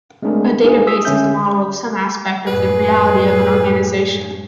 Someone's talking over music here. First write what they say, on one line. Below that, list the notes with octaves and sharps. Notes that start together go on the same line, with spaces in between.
A database is a model of some aspect of the reality of an organisation.
G#3 A3 C4 D4 G#4 A#4
A#3 D4 D#4 F4 G#4
D#6 E6 B6
D3 C#4 E5 G6
F#2 A2 G#4 B4